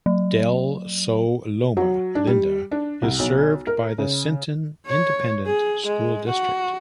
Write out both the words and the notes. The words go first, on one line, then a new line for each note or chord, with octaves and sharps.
Del Sol-Loma Linda is served by the Sinton Independent School District.
F#3
F#3
D4
G3
D4
C2
B1
A#4
C#3
C#5
G#4
G#3
F#4